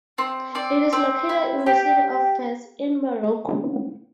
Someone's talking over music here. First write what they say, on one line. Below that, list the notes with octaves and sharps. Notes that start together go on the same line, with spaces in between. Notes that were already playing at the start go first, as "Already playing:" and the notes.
It is located in the city of Fez in Morocco.
C4
C4 D5
C4
E4
G4